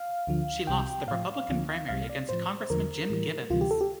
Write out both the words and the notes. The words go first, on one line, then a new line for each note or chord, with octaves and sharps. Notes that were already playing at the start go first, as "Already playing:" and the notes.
She lost the Republican primary against Congressman Jim Gibbons.
Already playing: F5
D2 D3 F3
C2 C3 G3 G5
A2 F3 F5
D2 D3 F3
C2 C3 G3 F5
D5
A2 F3 C5
E2 D3 F3 A#4
A2 E3 G3
D2 C3 E3 G3 F4
G4
A4
G4